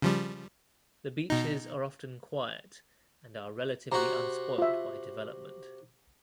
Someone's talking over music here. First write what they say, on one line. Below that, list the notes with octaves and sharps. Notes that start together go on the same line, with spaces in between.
The beaches are often quiet and are relatively unspoilt by development.
C#3 F3 G3
B2 D#4
C3 F#4 A#5
F4 E5